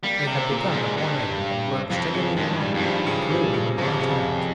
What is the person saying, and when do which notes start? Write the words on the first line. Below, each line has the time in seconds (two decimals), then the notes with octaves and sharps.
They had begun at one end and worked steadily along, clearing them right out.
0.04 G3 A#3
0.27 C3
0.34 C4
0.51 A#2
0.66 G2 A#3
0.73 G#2
0.96 G2 G3
1.90 F2 F3
2.14 C#3
2.37 G2 G#3
2.60 G3
2.74 F2 D#3
2.83 G2 F3
3.07 C#3
3.30 C3
3.54 C#3
3.78 F2 C3
3.85 C#3
3.92 C3
4.01 C#3